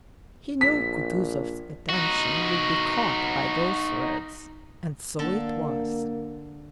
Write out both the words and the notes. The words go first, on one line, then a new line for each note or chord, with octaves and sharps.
He knew Kutuzov's attention would be caught by those words, and so it was.
A#1 B6
D#4 F#4
D3 A#3 A4 A5